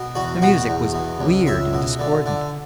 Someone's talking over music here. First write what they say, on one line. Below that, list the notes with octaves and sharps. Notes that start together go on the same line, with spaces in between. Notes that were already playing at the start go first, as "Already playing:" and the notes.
The music was weird and discordant.
Already playing: B2
E2 F#4
B2 F#4
E2
B2
C#2
C#2 E5
B2
D3
D3